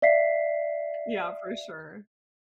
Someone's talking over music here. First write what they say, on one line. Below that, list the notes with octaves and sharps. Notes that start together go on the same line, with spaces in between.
Yeah, for sure.
D5 E5 F5 B6 C7